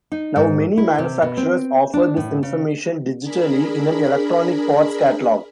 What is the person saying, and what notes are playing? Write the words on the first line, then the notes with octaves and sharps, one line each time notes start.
Now, many manufacturers offer this information digitally in an electronic parts catalogue.
D#4
G#2
E4
C3
B2
C4
D4
A2
C#3
D4 G#4 A#4 B5